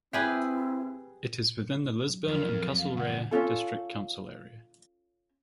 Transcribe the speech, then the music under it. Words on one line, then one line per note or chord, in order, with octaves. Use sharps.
It is within the Lisburn and Castlereagh District Council area.
C4 E4 G4 G#4 B4 E5
A#2
A#2
F#3
F2 A#4
F5
C#2 G2 F#5
C#4 D4 F4 A4